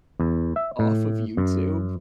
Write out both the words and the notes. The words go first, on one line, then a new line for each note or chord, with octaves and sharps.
off of YouTube,
E2
E5
A2
F#2